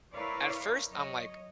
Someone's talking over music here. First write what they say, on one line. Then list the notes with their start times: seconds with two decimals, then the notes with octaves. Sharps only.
at first, I'm like,
0.13 E4 A#4 B4 C#5 D5 F5
0.90 F#3 C#5 D#5